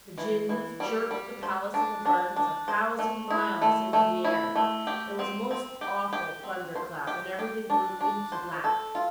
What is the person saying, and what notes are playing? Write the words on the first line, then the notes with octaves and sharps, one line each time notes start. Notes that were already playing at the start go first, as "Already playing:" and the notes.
The Djinns jerked the Palace and the gardens a thousand miles into the air: there was a most awful thunder-clap, and everything grew inky-black.
E3
E3
G3
G3
C5
D4
D4
D4
C5
A3
E4
A3
A3
E4
A3
G4
C4
C4
G4
G4
C4
C5
G4
G4
D4
D4
C5
A4
F4